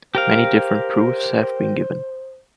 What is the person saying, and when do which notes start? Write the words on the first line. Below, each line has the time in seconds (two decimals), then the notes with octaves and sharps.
Many different proofs have been given.
0.15 G4 A#4 C5 F5